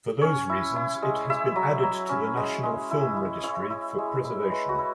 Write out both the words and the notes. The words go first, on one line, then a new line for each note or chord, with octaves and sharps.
For those reasons it has been added to the National Film Registry for preservation.
C#4 C#5
E4
E4
G#3
E4 E5
F#3
F#3
C#4
G#3
G#3
E4
E4
E4 C#5
E4
G#3
E4
G#3 B4
F#4
E4